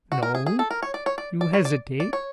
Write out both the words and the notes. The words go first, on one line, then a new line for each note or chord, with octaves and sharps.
No? You hesitate?
F#4
A#4
G#4
G#4
A4
A#4
C#5
D5
C#5
D5
D5
C#5
D5
D5
C#5